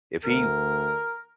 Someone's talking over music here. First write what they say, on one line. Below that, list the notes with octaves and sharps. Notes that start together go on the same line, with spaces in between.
if he
D2 A#4